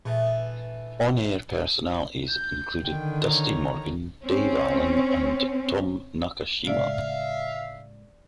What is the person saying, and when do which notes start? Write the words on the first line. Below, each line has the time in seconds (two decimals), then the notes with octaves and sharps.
On-air personalities included Dusty Morgan, Dave Allen, and Tom Nakashima.
0.05 A#2 E3 A3 B3
2.30 G6
2.83 D3 D#3 G5
3.25 C#5 A#5
4.23 C4 C#4
6.67 A2 C#3 G#3 D5 E5 F5